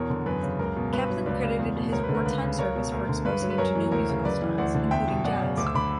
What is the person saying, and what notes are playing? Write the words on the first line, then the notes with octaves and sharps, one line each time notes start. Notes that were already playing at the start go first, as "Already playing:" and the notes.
Kaplan credited his wartime service for exposing him to new musical styles, including jazz.
Already playing: E2 B2 A#4 C#5
D3
F#2 B4
C#3
C#2 A#4
B2
G2 B4
F#3
C#2 B4 D5
C#3
E2
B2
D2 A#4 C#5
B4
D3
A#4
C#2 B4
C#3
C#2 A#4 C#5
B2
D2 A#4
D3
G2 B4
F#3
B4
F#2 A#4 C#5
E3
D2 A#4 C#5
C#3
F#2 B4 D5
E3
D2 D5 F#5
D3
E2 E5 G5
B2
F#2 D5 F#5
C#3
D2 D6
E6
D3 B5 D6